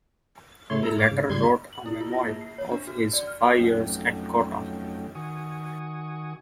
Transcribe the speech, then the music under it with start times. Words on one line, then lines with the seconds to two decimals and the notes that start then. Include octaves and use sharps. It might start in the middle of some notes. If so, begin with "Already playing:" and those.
He later wrote a memoir of his five years at Cotton.
0.70 A2 C#3 A3 C#5 C6
0.83 E4 A4 A#5
0.98 C#5 F5 D6
1.11 G#2 C#3
1.30 G#2 C#3 G3 C6 G#6
1.73 F#7
1.86 E4
2.01 F4
2.12 A#6
2.28 A#3
2.41 C7
2.58 C#5
2.72 D4
2.87 F#4
3.13 D5
3.27 F6
3.59 F2 F#3 A3 C#4 D#4 G5
5.15 D#3 F#4 G#5 C#6 D#6